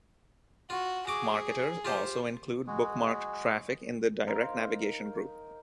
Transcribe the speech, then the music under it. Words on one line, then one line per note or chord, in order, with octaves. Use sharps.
Marketers also include bookmarked traffic in the direct navigation group.
F4 F#4
F#4 G#4 D6
F4 G4 C5
G#3 F#4 G#4
D#4 A#4 C5 F5